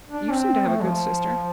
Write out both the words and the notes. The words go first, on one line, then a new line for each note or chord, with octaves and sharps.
'You seem to have a good sister.'
D4
C4
C4
A3
F3